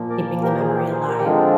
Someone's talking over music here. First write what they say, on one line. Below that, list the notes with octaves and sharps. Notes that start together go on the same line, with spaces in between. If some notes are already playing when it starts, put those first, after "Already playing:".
keeping the memory alive,
Already playing: A#2 F3 A#3
A#4 D5
G4 A#4
F4 G#4
G4 A#4
G#4 C5
G4 A#4
G4
D3 F3 G#3 C4 D4 F4